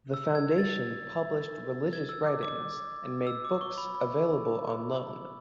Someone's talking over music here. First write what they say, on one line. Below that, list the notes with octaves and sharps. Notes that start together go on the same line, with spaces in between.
The foundation published religious writings and made books available on loan.
E6
G#6
A6
G#6
E6
D6
D6
E6
D6
C#6
B5
B5